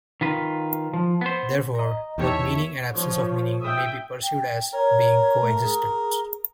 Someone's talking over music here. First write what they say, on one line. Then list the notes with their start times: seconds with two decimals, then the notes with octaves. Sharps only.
Therefore, both meaning and absence of meaning may be perceived as being co-existents.
0.21 D#3 F4 B4
0.94 F3
1.21 B3 C5
1.75 D#5 A#5
2.18 E2 D#4 G4 C#5 E5 A5
2.92 F3 C#5
3.61 E5 G5 D#6
4.23 G5
4.73 A#4 C#5
5.42 A3
5.62 G#4